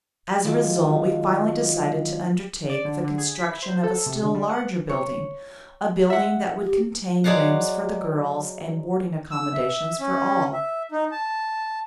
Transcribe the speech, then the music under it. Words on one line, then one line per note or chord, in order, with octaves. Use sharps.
As a result, we finally decided to undertake the construction of a still larger building--a building that would contain rooms for the girls and boarding accommodations for all.
D#3 F#3 G#3 F4
D5
D3
D3
G#4
B6
E4
C5
A4
C3
D3
G3
F#5
C#5
E5 F#5
G4
F#3 G#3 D5 F5 F#5
E6
E5
C#4
E5
D#4
A5